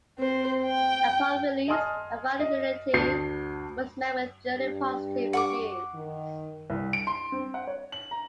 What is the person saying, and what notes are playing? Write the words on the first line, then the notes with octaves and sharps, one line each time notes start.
Upon release, "A Final Unity" was met with generally positive reviews.
C4 C5
G5
D#5 G#5 A5 C6 D#6 F6
D#5
D2 A5 D#6 G6 C7
G2 G4
F#5 C#6 D6
D#3
C2
D7
C6
C4
F#5
C#5
F#7
A#5